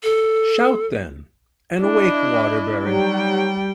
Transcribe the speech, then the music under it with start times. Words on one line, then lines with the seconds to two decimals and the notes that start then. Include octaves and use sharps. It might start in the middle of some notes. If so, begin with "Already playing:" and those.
Shout, then, and wake Waterbury.
0.03 A4
1.81 D4 E4 D#5
2.83 F#3 G3 D#4 G5